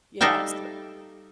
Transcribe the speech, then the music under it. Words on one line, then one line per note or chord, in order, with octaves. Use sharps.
Yeah, so
G3 D#4 A4 E5 F5 G5